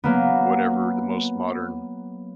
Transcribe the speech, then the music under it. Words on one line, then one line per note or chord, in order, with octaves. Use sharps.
whatever the most modern,
F#3 A#3 B3